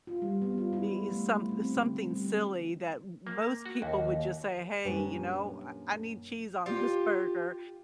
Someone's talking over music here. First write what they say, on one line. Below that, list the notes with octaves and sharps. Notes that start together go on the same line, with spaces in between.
e e some something silly that m most people would just say, "Hey, you know, I I need cheese on this burger,"
F4
G3
B3
F4
E4
A3
C4
D3
G3
A#3
F#4
D#2
F#2 A#2 G3 D4 B4 G#5
F4 G4